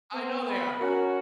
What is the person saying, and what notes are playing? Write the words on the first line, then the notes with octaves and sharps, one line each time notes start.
I know they are.
B3 C4
B5
C#4 F#4 A#4